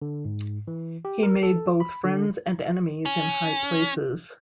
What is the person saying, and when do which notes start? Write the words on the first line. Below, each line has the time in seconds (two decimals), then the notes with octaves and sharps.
He made both "friends and enemies in high places".
0.02 D3
0.25 G#2
0.68 E3
1.05 G4
1.23 A#4
1.43 A4
1.80 B5
2.04 D3
3.06 C#4